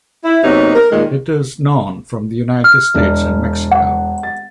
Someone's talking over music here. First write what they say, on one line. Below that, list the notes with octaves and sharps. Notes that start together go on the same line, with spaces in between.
It is known from the United States and Mexico.
E4
C3 F#3 A#3 B3 D#4
A#4
A#2 D#3 G#3
F6
E1 D4
F#5
A6